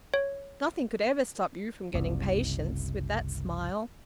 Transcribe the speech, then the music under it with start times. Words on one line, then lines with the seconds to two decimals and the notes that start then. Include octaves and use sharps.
Nothing could ever stop you from getting patients--with that smile!
0.14 C#5
1.94 F#1 C2